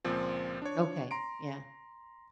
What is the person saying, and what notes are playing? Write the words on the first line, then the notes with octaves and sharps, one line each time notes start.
Okay, yeah.
C#2 A#2 F3 C4
D4 C#5
A#5 C6 D7